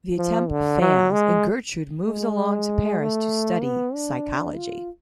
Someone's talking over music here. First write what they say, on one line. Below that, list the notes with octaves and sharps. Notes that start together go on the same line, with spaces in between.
The attempt fails and Gertrud moves alone to Paris to study psychology.
F3
D3
F#3
G#3
G#3
A3
B3
D4
F4